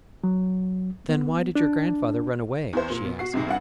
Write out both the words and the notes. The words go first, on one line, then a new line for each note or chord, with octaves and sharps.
"Then why did your grandfather run away?" she asked.
F#3
B3
D4
E2 C5
A#2
B2
F#4 C7
C#2 G#2 C3
G2 D4 F#5